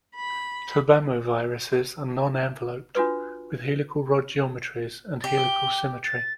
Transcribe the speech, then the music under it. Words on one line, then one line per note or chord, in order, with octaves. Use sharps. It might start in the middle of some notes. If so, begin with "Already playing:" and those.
Tobamoviruses are non-enveloped, with helical rod geometries, and helical symmetry.
B5
D4 F4 F#4 A4 B4
G4
G7
A6